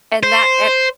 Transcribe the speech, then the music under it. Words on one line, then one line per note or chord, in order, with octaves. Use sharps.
And that and
C5